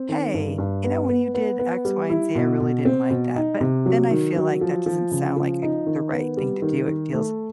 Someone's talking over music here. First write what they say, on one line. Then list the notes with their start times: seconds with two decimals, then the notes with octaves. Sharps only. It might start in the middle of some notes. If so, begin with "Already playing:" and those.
"Hey, you know, when you did X, Y and Z, I really didn't like that," but then I feel like that doesn't sound like it the right thing to do, it feels
Already playing: C4
0.09 D#3
0.34 G2
0.58 G2
0.84 B3
1.09 B3
1.34 B3
1.59 B3
1.85 G3
2.09 E4
2.35 B2
2.60 B2
2.85 C4
3.10 B2
3.36 D#4
3.60 C3
3.86 F#3
4.11 D#3
4.36 F#3
4.61 F3
4.86 F3
5.11 C#3
5.36 F3
5.62 D#4
5.87 D#3
6.12 B3
6.37 G3
6.62 D#3
6.88 D#3
7.13 A3